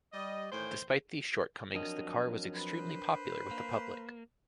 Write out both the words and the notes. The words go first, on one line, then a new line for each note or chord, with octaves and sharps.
Despite these shortcomings the car was extremely popular with the public.
G3 D#5
A2 D#3 E3 C5 G5 G#5
F2 F#3 D4 A#4 D#5
B4 C5
A#3